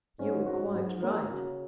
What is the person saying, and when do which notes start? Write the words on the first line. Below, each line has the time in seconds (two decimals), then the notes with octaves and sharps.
'You are quite right.
0.19 G#2 C#4
0.47 F#4
0.74 G#2 F#3
1.03 A#3
1.30 C#3 F#4